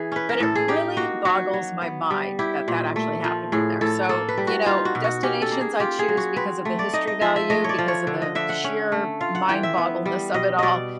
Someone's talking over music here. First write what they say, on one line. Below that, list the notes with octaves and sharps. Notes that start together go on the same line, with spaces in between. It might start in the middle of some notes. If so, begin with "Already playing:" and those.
But it really boggles my mind that that actually happened in there. So, you know, destinations I choose because of the history value, because of the sheer mind-boggleness of it all.
Already playing: E3 G#4
C#4 B4
A#4
A2 A4
G#4
D#4 G4
A#3 F#4
F#3 F#4
F#3
B3
G3
E4 G4
A#2
A3
F3
A2 G#4
A2 A4
A#3 A4
B4
G3
F#4
D#4 F4
F#4
B2
F#4
C#4 G4
A4
A#3
G#4
F4 G4
G#4
F#3
F#4
C4 B4
A3
D5
D#4 D#5
D#5
F3 E5
E5
A3 D#5
C#5 D5
F3
C#5
D3
D#5
D3 E5
F#5
C#4
A3
F4 F5
F#5
E3 G5
E5
B3
G3
B2 D#5
B2 D5 D#5